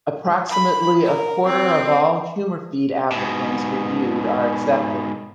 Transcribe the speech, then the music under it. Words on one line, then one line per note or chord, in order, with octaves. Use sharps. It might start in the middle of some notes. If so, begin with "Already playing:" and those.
Approximately a quarter of all HumorFeed applicants reviewed are accepted.
B5
A#4
C4
G#2 B2